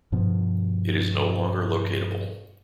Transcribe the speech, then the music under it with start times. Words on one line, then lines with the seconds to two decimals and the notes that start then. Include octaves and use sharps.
It is no longer locatable.
0.12 G2 B2 F3 B3